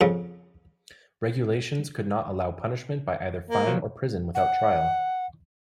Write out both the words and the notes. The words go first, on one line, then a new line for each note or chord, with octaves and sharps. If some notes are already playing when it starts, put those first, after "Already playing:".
Regulations could not allow punishment by either fine or prison without trial.
F2 C#3
A#3
F3 F#3
F#5